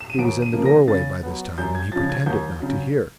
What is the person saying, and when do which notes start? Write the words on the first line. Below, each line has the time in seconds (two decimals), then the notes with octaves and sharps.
He was in the doorway by this time, and he pretended not to hear.
0.01 E7
0.10 D#7
0.19 D#2 D7
0.42 D#7
0.53 C#3 F3 A#3
0.66 A#6
0.87 C#3 A6
1.23 F#3 B3
1.58 F#2 G6
1.75 G#6
1.92 C#3 F3 A6
2.10 G#6
2.26 D#2 G6
2.60 C#3 F#3